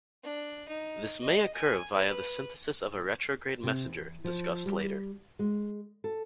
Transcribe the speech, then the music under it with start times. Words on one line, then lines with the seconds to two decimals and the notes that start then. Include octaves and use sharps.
This may occur via the synthesis of a retrograde messenger, discussed later.
0.23 D4
0.68 D#4
1.21 D#5
1.54 G#5
1.93 B4
3.63 C3
3.86 E2
4.24 F3
4.66 G3
5.39 G#3
6.04 A4